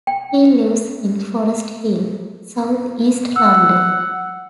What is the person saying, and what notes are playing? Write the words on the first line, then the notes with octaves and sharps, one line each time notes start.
He lives in Forest Hill, south east London.
G5
F#5 E6